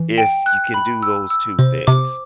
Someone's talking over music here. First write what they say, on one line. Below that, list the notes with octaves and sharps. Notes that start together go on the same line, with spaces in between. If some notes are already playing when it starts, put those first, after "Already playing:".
if you can do those two things,
Already playing: E3
G5
F#6
B5
E6
E6
C3 C5
C3 D6